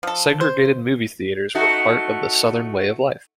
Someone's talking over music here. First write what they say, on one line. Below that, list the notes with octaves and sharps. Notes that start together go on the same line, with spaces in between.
Segregated movie theaters were part of the southern way of life.
F3 A4
C5
A3 D#4 F#4